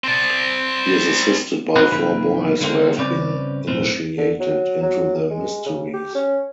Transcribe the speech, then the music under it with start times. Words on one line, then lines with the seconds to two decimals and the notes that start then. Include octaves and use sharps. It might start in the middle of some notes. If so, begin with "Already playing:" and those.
He is assisted by four boys who have been initiated into the mysteries.
0.04 C4 D5
1.76 C4 D#4 F#4 G#4 A#4 B4
1.92 F#2 C3 D#3 A#3 G#4 B4
2.61 D3 G#3 A#3 C4
2.97 G2 C#3 C4 C#4 B4 D5
3.67 B1 F#2 A2 C4
4.18 D3
4.40 F#3
4.83 F#3
5.30 G#3
5.66 C#3
5.93 G4
6.15 C#4